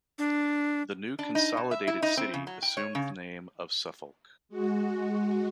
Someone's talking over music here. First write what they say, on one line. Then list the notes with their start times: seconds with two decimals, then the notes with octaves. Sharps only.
The new consolidated city assumed the name of Suffolk.
0.18 D4
1.19 D4
1.35 D#4
1.57 B2
1.71 E5
1.87 E4
2.02 D#4
2.17 C4
2.34 C#3
2.47 F#3
2.62 G5
2.77 C#5
2.95 C#3
4.49 G#3 F#4